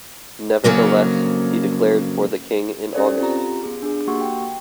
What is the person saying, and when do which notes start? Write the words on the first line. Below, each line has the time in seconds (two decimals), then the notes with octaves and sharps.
Nevertheless he declared for the king in August.
0.64 F2 C#3 F#3 A#3
2.94 C#4 G4 A4 C5 D5
3.20 C4 F4 G4 A#5
3.63 B3 G#4
3.83 D4 G#4
4.07 A#3 F#4 G4 F#5 C6 C#6
4.21 G5